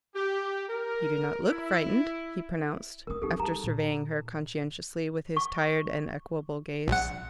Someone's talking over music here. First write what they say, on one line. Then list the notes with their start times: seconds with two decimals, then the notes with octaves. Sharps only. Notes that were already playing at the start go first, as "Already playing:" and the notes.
"You do not look frightened," he pronounced, after surveying her conscientiously with his tired and equable gaze.
0.15 G4
0.69 A#4
1.51 E4
3.07 A3 D4 A#4 D#6
3.22 F#3 C4 D#4 G4 A4
3.40 G3 A5 A#5
3.64 A#2
5.37 C#6
6.88 A#1 F#5